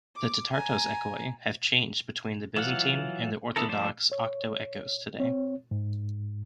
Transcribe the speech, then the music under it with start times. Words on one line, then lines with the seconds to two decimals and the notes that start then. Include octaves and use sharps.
The tetartos echoi have changed between the Byzantine and the Orthodox octoechos today.
0.15 D6
0.52 G#5 A#5
2.57 E3 F#3 F4 F#5
3.56 D3 B3 E4 A4 A#4
3.69 F3 A3 C5 D5 A5
4.12 C#5
5.20 C4 C#5
5.71 G#2